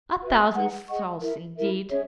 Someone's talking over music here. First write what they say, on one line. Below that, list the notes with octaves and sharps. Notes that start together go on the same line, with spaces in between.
A thousand souls, indeed!
F#4 B4 E5
D#4 G#4 B4 F#5
G#4 D#5 F#5 C#6
E4 A#4 E5
E4 A#4 E5
C#4 G#4 C#5 E5